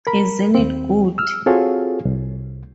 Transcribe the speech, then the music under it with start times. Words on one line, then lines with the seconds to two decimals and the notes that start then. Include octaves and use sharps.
Isn't it good!
0.07 A#4 B5
0.55 D#2 C4
1.18 E6 F6
1.46 C4 F4 F#4 G#4 A4 C#5
2.05 C2